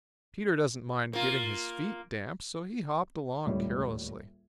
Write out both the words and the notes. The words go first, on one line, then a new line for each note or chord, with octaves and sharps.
Peter doesn't mind getting his feet damp, so he hopped along carelessly.
A#3 F4
D#1 C#2 A2 G3 C#5